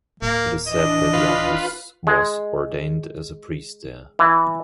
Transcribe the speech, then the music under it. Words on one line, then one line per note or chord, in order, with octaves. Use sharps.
It is said that Jan Hus was ordained as a priest there.
D1 A#3
E3 D4 D#5
F4 B4
G#3
E3